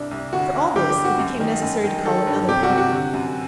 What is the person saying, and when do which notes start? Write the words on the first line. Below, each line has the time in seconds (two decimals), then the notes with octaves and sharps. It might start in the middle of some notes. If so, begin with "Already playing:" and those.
For all this, it became necessary to call another Parliament.
Already playing: C2 G2 D4
0.11 C2
0.32 D2 F#4
0.54 D2
0.76 D3 G4
0.90 G4
0.97 G2
1.05 F#4
1.19 F#2
1.40 D#3
1.62 F#2
1.84 D#3
2.05 D#3 A4
2.27 G2
2.48 C3 G4
2.63 F#4
2.70 C3
2.78 F#4
2.92 D3
3.13 F#2